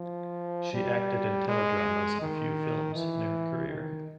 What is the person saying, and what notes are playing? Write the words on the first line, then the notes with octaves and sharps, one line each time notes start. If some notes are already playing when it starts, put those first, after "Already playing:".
She acted in teledramas and few films in her career.
Already playing: F3
G3
G#3
D#3
E3
D#3